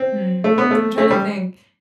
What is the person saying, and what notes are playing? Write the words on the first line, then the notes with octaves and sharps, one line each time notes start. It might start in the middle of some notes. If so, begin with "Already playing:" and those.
hmm. I'm trying to think.
Already playing: C4
A3
B3
A3
A3
G3